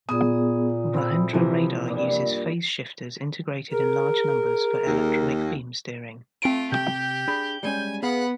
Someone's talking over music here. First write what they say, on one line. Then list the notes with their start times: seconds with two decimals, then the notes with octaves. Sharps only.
Rajendra radar uses phase shifters integrated in large numbers for electronic beam steering.
0.09 A#2 B3 G#4 D#6
0.94 C4 E4 G#4 A4 B5
1.33 C3 E3 F3
1.86 G2 A#2 G3
3.72 G#4 A#4
4.86 D#2
6.42 A3 C4 F4 D7
6.72 C3 G4 G5 G6
7.28 D4 G#4 B5
7.63 G3 G#3 C#4 G#5
8.02 B3 G#4 F5 F#5 B5